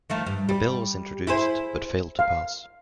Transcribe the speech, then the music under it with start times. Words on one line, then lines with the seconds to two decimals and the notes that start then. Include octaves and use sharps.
A bill was introduced, but failed to pass.
0.10 D#3 F3 A3
0.26 G2
0.49 G3
1.27 E4 G#4 C5
2.19 F5